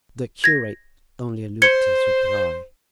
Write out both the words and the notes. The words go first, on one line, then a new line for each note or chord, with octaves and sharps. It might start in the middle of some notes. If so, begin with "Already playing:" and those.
The curate only looked his reply.
G#6 A#6
C5 G#6 C#7 G7